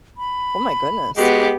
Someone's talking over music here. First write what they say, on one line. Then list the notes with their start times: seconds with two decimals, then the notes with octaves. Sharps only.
Oh, my goodness.
0.17 B5
1.17 G#3 B3 F#4 G4